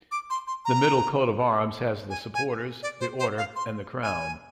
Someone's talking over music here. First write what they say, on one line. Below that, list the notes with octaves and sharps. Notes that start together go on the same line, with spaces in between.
The middle coat of arms has the supporters, the order and the crown.
D6
C6
C6
A#5
G#5
G#5
D5
C5
C5
F5
C6
G#5